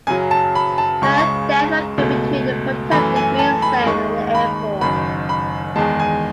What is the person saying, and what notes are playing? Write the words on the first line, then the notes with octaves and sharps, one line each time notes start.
Her death occurred between the protected Green Zone and the airport.
F#2 C#3 F#3 G#5
A5
B5
A5
C#2 C#3 G#3 C#6
C#6
C#2 B2 A3
F#2 E3 A3 B5
G#5
A5
B5
D#2 D#3 G#3 C#6
B5
F#1 F#2 D#3 B5
B5
E2 D#3 G#3 A5
G#5